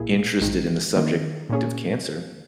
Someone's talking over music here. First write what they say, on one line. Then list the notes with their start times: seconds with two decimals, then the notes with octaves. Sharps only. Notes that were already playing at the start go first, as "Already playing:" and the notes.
interested in the subject of cancer.
Already playing: B1 A#2 A#3 E4 G#4
0.41 A#1 G#2 D#3
0.96 D#3 A#3 D#4
1.49 A#2 A#3 C#4 G#4